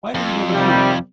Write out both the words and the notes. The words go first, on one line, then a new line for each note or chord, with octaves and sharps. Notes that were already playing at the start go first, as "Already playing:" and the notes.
Why did he never come?
F2
C3 D#3 G3